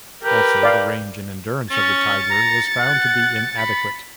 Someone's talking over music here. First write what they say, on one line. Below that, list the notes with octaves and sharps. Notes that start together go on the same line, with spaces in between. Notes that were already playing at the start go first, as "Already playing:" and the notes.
Also, the range and endurance of the "Tiger" was found to be inadequate.
G4 A#4 B4
D5 F5
C#4 A6 C#7
A#5
F#5
B5